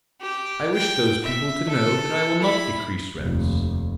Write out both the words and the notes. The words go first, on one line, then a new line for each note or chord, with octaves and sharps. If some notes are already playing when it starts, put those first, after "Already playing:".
I wish those people to know that I will not decrease rents.
G4
G5
E5
A4
E4 B5
F1 D#2